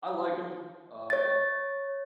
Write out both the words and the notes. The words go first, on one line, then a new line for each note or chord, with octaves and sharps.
I like 'em. Uh,
C#5 A6